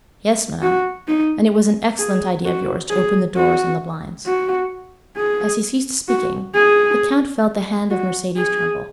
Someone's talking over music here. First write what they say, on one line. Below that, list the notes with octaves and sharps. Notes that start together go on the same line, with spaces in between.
"Yes, madame; and it was an excellent idea of yours to open the doors and the blinds." As he ceased speaking, the count felt the hand of Mercedes tremble.
F#4
D#4
G#4
F#4
G#4
F#4
F#4
G#4
F#4
G#4
F#4
G#4